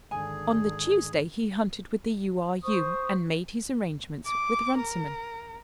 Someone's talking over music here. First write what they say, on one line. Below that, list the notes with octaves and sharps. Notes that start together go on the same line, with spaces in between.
On the Tuesday he hunted with the U. R. U., and made his arrangements with Runciman.
G#1 D3 D#3 G#4 G#5
C5 C#6 D#6
D6
A#4